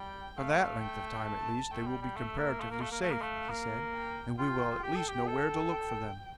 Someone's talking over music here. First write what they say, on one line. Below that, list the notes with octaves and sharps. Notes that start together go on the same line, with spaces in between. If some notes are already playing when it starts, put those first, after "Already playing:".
"For that length of time at least they will be comparatively safe," he said, "and we will at least know where to look for them."
Already playing: G3 G5
A3 F5
G5
A5
A3 G5
G3
G3
A3 E5
A#3
A3 F5
A#3
A3
A#3
A3
A#3
A3
A#3
G5
F4 G5
G4 G5
A4
G4
A4 G5